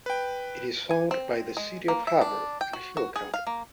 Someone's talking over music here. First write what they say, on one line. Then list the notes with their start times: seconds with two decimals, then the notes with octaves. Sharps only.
It is owned by the City of Havre and Hill County.
0.06 B4 G5
0.91 G#5
1.11 C4
1.57 G#3
1.88 A#3
2.07 E5
2.21 D4
2.61 G5
2.73 F#4
2.97 F#4
3.16 G#4
3.34 F5
3.47 A#3